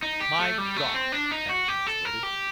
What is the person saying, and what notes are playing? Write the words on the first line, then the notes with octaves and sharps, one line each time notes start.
"My God!" Harrington exploded.
D#4
G4
A3
G3
A3
C4
D4
D#4
F#4
G4
A4
A#4
G4